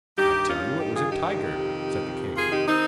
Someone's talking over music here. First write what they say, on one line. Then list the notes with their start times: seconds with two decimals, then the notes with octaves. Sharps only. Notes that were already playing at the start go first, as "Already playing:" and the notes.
'I tell you it was a tiger,' said the king.
0.17 G2 D#3 D#4 G4
0.48 C#4 F4
0.80 D#4 G4
0.95 F4 G#4
1.11 D#4 G4
1.42 F2 C3 D#3
2.36 F4 G#4
2.51 D#4 G4
2.66 D#3 C4 D#4